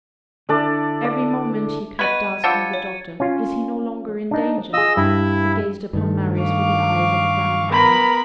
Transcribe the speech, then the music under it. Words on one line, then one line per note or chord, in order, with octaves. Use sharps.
Every moment, he kept asking the doctor: "Is he no longer in danger?" He gazed upon Marius with the eyes of a grandmother.
D3 D4 E4 A4 D5
D5
B3 B4 D#5 B5 C#6 G#6 D#7
F3 G3 D4 F#5 A5 E6 A6 C#7
C#5
C#4 F4
D4 D#4
F4 G#4 D#5 E6
G2 E4
G2 D#3 A3
F5 C#6 D6
B3 A#4 B5